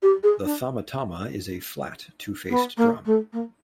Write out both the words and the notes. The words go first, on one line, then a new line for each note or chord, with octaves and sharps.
The Thammattama is a flat, two faced drum.
G4
G#4
D4
B3
A#3
A3
A#3